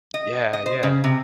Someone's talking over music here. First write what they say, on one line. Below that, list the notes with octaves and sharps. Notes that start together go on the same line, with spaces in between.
Yeah, yeah.
D#5
D#5
C5
C#3
C3